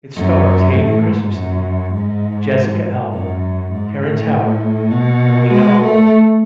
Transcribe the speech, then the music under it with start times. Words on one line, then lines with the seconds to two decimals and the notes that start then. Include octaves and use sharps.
It stars Hayden Christensen, Jessica Alba, Terrence Howard and Lena Olin.
0.16 F#2
0.75 A2
1.05 G#2
1.35 F#2
1.94 G#2
3.13 F#2
3.71 G#2
4.02 A2
4.91 B2
5.50 G#3
5.80 A3